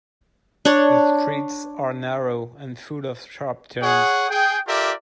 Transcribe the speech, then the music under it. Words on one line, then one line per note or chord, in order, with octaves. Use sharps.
The streets are narrow and full of sharp turns.
D4 C#5
G#4 C#5 F#5
G#4 G5
F4 G4 A4 A#4 D5 E5